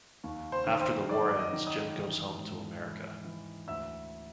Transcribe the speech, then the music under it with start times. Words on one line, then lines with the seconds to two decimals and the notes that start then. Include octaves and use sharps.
After the war ends, Jim goes home to America.
0.24 D#2
0.52 C5 C6
0.67 D#3
0.81 C5 C6
1.09 F#3 D5 D6
1.39 D#5 D#6
1.53 D#3
1.67 D#5 D#6
1.96 E3
2.38 G#2
2.82 E3
3.25 E3
3.67 D2 E5 E6